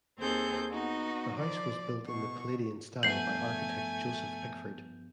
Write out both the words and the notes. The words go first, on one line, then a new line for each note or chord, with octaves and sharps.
The house was built in the Palladian style by architect Joseph Pickford.
D#2 C4 G#4 A4 G6
B3 D#4 F#4
F3 D5
B2 C#6
G2 F3 A3 B3 G#5 G6 C7 F#7